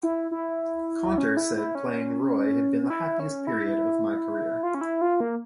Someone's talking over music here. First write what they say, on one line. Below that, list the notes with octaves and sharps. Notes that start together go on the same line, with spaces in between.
Caunter said playing Roy had been the happiest period of my career.
E4
E4
C#4
E4
E4
C#4
C#4
E4
C#4
E4
F4
C#4
E4
F4
A#3